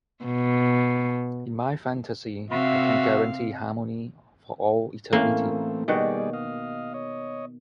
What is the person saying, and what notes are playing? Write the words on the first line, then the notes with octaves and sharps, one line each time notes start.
In my fantasy, I can guarantee harmony for all eternity.
B2
C3 F#4 E5 F5
A2 E3 A3 A#3 C4 C#4
B2 D#3 G3 F#4 G#4 D5
D#5 F5
C#5 D#5